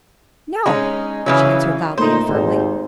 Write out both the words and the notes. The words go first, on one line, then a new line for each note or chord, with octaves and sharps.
"No!" she answered, loudly and firmly.
G#3 C#4 D#4
C#3 E3 F#3
A#2 A3 D#4 C5
G#1 D#2